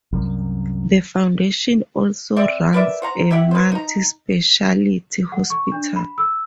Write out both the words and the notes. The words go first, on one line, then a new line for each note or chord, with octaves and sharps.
The foundation also runs a Multi Speciality Hospital.
C2 F#2
C4 D5 E5
A#4 B4 D5 E5
C5 F#5 A#5
E4 G4 E5 F#5
B4 C5
D#4 A#5
F#5
C#6
D4
B5
E6